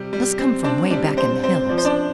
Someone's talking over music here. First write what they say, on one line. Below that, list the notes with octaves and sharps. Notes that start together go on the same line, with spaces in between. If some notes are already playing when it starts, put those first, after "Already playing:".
"Must come from way back in the hills."
Already playing: C3 G3
G3
C4
C4 D4 D5
G3 D4 D5
C4 C5
C4 C5
F3 D5
C5
D4 D5